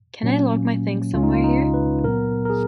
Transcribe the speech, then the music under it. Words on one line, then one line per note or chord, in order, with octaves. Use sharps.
Can I lock my things somewhere here?
A#2 F#3 A#3 C#4
C#2 C#3 G#3 C#4 F4
D#4
F4
D#4
B4
A#2 F#3 B3 A#4
A#4
G#4